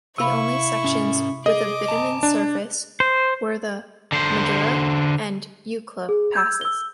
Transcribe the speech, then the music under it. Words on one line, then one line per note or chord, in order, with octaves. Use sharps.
The only sections with a bitumen surface were the Madura and Eucla Passes.
C3 E4 F5 B5 C#6
C#4 E5
G#4 D#5 D6
A5 A#5
D4
C5
D3 C5
G#4
E6 G6 G#6
E6 G7